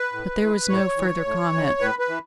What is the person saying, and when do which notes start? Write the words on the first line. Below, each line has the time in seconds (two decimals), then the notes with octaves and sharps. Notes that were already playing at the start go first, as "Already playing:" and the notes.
But there was no further comment.
Already playing: B4
0.13 A2
0.41 E3
0.69 A2 C#5
0.97 E3
1.25 A2
1.53 E3
1.80 A2 B4
1.99 B4
2.09 E3